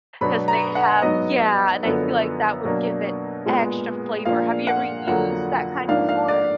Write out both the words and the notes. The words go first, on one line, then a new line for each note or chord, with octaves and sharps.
'cause they have yeah, and I feel like that would give it extra flavor. Have you ever used that kind before?
B2 F#3 B3 D4 B5
A#5
F#5
G#2 F#3 B3 D#5
F#2 D3 F3 B3
B2 F#3 A#3 D4
A#2 G#3 B3
A#2 F3 A#3 D4 F5
F#5
F2 D3 F#3 A#3 F#5
G#2 F3 A#3 D4 F5
F5
D5